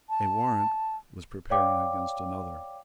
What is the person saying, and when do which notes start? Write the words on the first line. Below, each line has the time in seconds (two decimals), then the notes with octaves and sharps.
A warrant was preparing against another.
0.10 A5
1.50 C#5 D5 F5 G5 D6